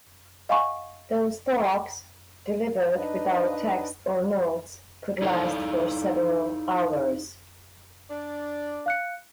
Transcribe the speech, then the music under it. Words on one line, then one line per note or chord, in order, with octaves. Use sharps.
Those talks, delivered without text or notes, could last for several hours.
D#5 F5 F#5 G#5 B5 C#6
D4 D#4 B4 D#5
D#4 E4 A4 C#5 D5 F5
D4 D5
F5 F#6 C#7